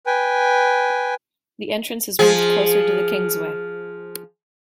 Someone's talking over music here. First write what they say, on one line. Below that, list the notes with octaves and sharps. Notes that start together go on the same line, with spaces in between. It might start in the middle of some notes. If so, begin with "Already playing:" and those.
The entrance has moved closer to the Kingsway.
B4 G5 G#5
F3 G#4